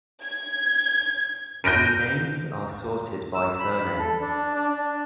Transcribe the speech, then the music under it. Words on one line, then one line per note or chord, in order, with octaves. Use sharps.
The names are sorted by surname.
G#6
G6 A#6 D7 D#7
E6
B5
A4
D4
D4
D4